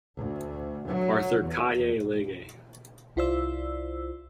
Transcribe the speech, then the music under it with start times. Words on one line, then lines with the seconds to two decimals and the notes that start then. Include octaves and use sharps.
Arthur Kaye Legge.
0.18 D2
0.87 F#3
1.41 E2
3.16 C2 E4 F4 C5 D5 E6